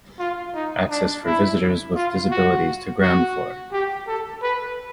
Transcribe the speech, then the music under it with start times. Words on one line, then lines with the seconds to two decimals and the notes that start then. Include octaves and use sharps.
Access for visitors with disabilities to ground floor.
0.19 F4
0.55 D#4
0.90 D4
1.25 E4
1.96 F4
2.31 F#4
3.02 F#4
3.72 G4
4.07 A4
4.42 B4